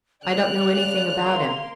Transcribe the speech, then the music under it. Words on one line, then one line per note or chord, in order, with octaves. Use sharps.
"I don't know anything about him."
C#3 D5 F#6 F7
A#3 C6